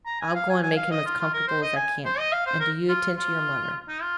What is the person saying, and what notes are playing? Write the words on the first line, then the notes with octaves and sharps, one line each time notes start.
I'll go and make him as comfortable as I can, and do you attend to your mother.
A#5
G#5
F5
G#5
G#5
F5
D#5
F4
F4
A#4
C5
D#5
G#5
C5
D#5
F5
C5
A#4
F4
F4
D#4
F4